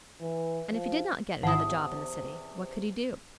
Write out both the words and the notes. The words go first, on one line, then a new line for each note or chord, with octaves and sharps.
And if he did not get another job in the City, what could he do?
E3
F3
G#1 E2 C3 C#4 E4 F#5 A5 D#6